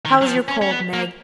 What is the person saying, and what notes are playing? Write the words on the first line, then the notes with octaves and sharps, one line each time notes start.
How is your cold, Meg?
D#3
F#3
F3
C#4
C#4
B3
A#3